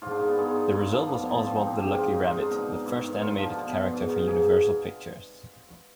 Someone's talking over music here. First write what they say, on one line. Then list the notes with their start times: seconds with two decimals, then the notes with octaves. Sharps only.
The result was Oswald the Lucky Rabbit, the first animated character for Universal Pictures.
0.02 G#2 F4
0.11 D4
0.19 D#3
0.29 B3
0.38 G2 G#3
0.55 D#3
0.73 G2
0.91 D3 F3
1.08 G2 B3
1.26 D3 F3
1.43 G2 C4
1.55 D#4
1.61 D3 F3
1.68 G4
1.79 G#2 G4
1.97 D#3 F4
2.14 G#2 D#4
2.24 F4
2.33 D#3 D#4
2.42 D4
2.50 B2 D#4
2.86 G2
3.04 D#3
3.21 G2 F4
3.39 D3 F3
3.56 B2
3.93 G#2
4.09 D#3
4.27 G#2 G#4